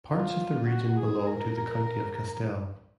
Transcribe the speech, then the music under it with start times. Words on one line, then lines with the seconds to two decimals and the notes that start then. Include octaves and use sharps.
Parts of the region belonged to the county of Castell.
0.11 F4
0.68 F#4
0.98 G#4
1.27 A#4